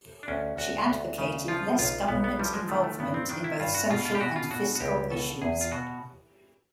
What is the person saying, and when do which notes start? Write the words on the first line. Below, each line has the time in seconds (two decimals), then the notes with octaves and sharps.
She advocated less government involvement in both social and fiscal issues.
0.23 D4
0.28 D2 C#4
0.57 D2 F#4
0.88 D2
1.18 C#3
1.48 F3 F4
1.79 B1 F4
2.08 B1 B3
2.24 B3
2.39 F3 G3
2.54 G#3
2.69 D#3 A3
2.84 A3
2.99 G2 B3
3.14 C4
3.29 D#3 D4
3.44 E4
3.60 G2 F4
3.74 F#4
3.90 B2 F4
4.06 F4
4.15 G4
4.20 B2 F#4
4.36 F4
4.51 B2 F#4
4.75 F#4
4.80 C#2 G4
5.10 B2 A4
5.42 E2 G#4
5.61 F4
5.71 B2 F#4